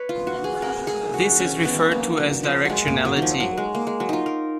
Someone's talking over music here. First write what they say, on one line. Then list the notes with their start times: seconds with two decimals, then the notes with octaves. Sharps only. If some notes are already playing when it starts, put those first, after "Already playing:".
This is referred to as directionality.
Already playing: B4 C#5
0.09 F4
0.27 F#4
0.44 G#4
0.62 A#4
0.87 G#4
1.14 F#4
1.40 C#4
1.65 B3
1.92 A#3
2.17 F#3
2.43 F3
2.65 F#3 G#3
2.88 A#3
3.05 F#3
3.17 D#3
3.22 F3
3.40 F#3
3.58 G#3
3.75 A#3
3.87 G#3
4.00 F#3
4.09 D#4 F4
4.26 A#4